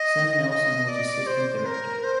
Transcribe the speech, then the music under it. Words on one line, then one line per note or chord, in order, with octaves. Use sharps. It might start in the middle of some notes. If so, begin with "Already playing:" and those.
Sam Nelson was assistant director.
Already playing: D#5
D#5
D5
C5
A#4
C5